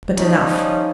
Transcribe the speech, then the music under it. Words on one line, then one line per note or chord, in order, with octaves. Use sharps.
But enough.
F3 G3 C#4 D#4